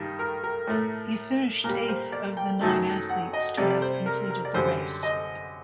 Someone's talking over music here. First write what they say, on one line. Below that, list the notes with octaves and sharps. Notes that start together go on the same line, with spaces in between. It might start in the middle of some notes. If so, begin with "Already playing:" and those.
He finished eighth of the nine athletes to have completed the race.
Already playing: G2 D#3 G3 A5
A#4
A#4
A2 A3
A#2 G3 A#4
C5
D5
G5
F#2 D#3 F#3 A3 A5
A5
F#5
D#5
C3 G3 D5
D5
C5
A#4
A#4
D5
F#2 D3 G3 C5
D#5